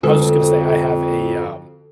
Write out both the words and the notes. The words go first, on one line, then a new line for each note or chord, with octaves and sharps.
I was just gonna say, I have a, um
F2 D3 F#4 A4